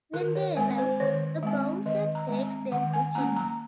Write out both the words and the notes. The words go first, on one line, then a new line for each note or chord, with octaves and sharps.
When they arrive, a bouncer takes them to Gino.
D#3 A#4
C#5
G#3 C4 G#5
C5
D#3 C#5
G#3 C4
D#3 D#5
A#5
G#3 C4
A#5
D#3 F#5
G#5
A#3 C#4 A#5
A#5